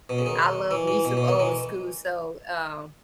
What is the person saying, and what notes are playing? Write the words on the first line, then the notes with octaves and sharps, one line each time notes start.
I love me some old school, so, um,
B2
C#3
D#3
E3
E3
B2
B2
D#3
E3